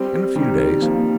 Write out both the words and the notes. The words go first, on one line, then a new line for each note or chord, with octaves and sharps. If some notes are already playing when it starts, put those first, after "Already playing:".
In a few days.
Already playing: G3 C4
D#3 G3
F3 A#3